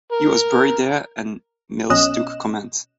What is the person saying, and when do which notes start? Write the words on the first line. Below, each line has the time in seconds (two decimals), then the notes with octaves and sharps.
He was buried there and Milz took command.
0.12 A#4
1.90 B1 B2 C#4 D#5 F#6 E7